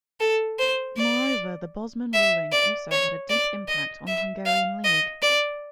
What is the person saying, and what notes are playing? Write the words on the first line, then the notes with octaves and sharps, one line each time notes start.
Moreover, the Bosman ruling also had a deep impact on the Hungarian League.
A4
C5
D5
E5
D5
C#5
D5
D#5
E5
F5
D#5
D5